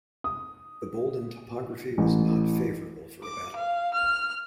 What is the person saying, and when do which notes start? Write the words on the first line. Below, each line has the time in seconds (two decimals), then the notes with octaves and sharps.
The Boldon topography was not favorable for a battle.
0.24 D#6
1.98 A1
3.23 D6
3.56 F5
3.94 F6